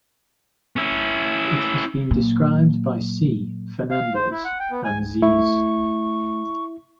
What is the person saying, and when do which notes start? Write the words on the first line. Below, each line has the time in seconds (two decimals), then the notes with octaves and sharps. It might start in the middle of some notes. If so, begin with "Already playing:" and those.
It has been described by C. Fernandez and Zs.
0.76 C#4 E4
2.11 A#2 F#3
3.91 F5
4.15 C5
4.31 E4
4.45 F#5
4.60 G5
4.71 B3
4.84 G#5
5.22 A3 E4 C#6